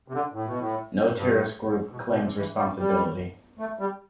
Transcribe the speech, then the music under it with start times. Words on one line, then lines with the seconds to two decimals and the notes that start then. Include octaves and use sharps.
No terrorist group claims responsibility.
0.08 C3
0.14 D3
0.34 A2
0.46 B2
0.58 A2
1.15 G2
1.91 B2
1.96 A2
2.10 B2
2.24 C3
2.37 E3
2.57 G3
2.77 G3
3.59 A3
3.79 G3